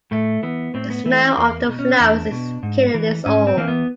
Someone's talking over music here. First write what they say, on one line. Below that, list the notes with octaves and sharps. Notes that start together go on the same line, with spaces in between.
The smell of the flowers is killing us all.
A2 A3
E3 B3
A2 C4
B3
E3 A3
E2 A#3
B2
C#4
E2 D4
B2
G#2
E3
G#2 C#4
C4
E3 A#3
B3